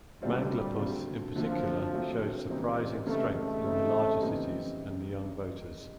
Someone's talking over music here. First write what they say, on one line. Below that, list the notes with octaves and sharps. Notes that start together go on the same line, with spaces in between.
Manglapus, in particular, showed surprising strength in the larger cities and the young voters.
D3 F#3 G3 A3 C4 F4
D3 F#3 A3 C4 F4
D3 F3 F#3 A3 C4 F4
D3 F#3 A3 C4 F4
C#3 E3 G3 C4 D#4
C#3 E3 G3 A3 C4 D#4
A3
C#3 E3 G3 C4 D#4
C#3 E3 G3 C4 D#4